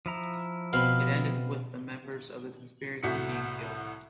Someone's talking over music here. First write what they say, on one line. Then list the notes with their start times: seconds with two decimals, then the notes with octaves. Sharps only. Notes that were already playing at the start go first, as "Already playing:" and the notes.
It ended with the members of the conspiracy being killed.
0.06 F3 E4 A#5
0.73 B2 C4 B4 F5
3.03 C2 A2 F#4 B6 C#7